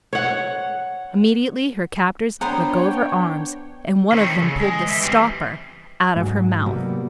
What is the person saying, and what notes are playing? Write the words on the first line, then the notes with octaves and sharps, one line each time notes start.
Immediately her captors let go of her arms and one of them pulled the "stopper" out of her mouth.
C#5 F#5
B3 D4 C5 C#5 F#5 G5 A#5
D#3 A3 C4 G4 C#5
C#3
G#3
E3 D5 E5
E2 G3 C4
G#2 F#3
C3 F#3 G3 A#3 B3